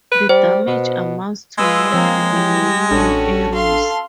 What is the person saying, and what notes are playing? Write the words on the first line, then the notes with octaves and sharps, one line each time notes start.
The damage amounts to more than a million euros.
B4
G3 C5
B2
G#3 F4 B4 E6
F3 A#3 C4 C#5
E3 G4
A1 C#4 D4 F#4 A4 G5
F5 C6